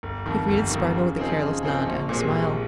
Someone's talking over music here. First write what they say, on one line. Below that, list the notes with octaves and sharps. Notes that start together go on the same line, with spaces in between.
He greeted Spargo with a careless nod and a smile.
G1
F2 D#3
G1
F2 D#3
C#3
F3 C4 D#4 G#4
C#3
F3 C4 D#4 G#4
A#1
A#2 G#3 C4 G4
A#1